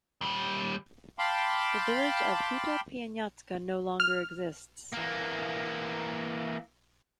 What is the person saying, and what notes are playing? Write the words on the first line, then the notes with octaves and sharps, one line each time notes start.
The village of Huta Pieniacka no longer exists.
D#2 G3
F5 G5 A5 B5 C6 D6
F6
E3 A#3